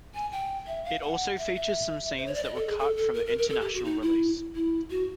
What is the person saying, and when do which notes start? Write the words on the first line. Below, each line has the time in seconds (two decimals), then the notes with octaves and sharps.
It also features some scenes that were cut from the international release.
0.14 G#5
0.32 G5
0.67 E5
0.85 F5
1.02 F#5
1.37 E5
1.55 E5
2.18 C5
2.26 C#5
2.34 D5
2.44 D#5
2.55 A4
2.67 G#4
2.79 A4
2.96 A4
3.14 A#4
3.26 A#4
3.38 A#4
3.49 A4
3.61 G4
3.74 F#4
3.85 D#4
4.02 E4
4.55 E4
4.90 F#4